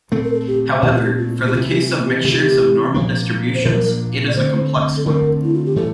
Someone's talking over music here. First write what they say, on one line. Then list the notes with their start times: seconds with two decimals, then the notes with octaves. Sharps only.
However, for the case of mixtures of normal distributions, it is a complex one.
0.12 A#2 A3 C4 A4
0.23 A#4
0.33 A4
0.47 G4
0.82 A#2 A3 C4 G4
0.94 F4
1.05 G4
1.18 F4
1.47 G4
1.53 C3 E3 A3 F4
1.70 G4
1.88 F4
2.06 G4
2.24 C3 E3 A3 G4
2.32 F4
2.40 G4
2.94 A#2 F3 A#3 D4
3.54 C5
3.64 A#2 F3 A#3 D4 A#4
4.28 D5
4.35 D3 A3 C4 C5
4.97 A4
5.06 D3 A3 C4 A#4
5.43 E4
5.54 F4
5.66 G4
5.76 A2 E3 A3 A4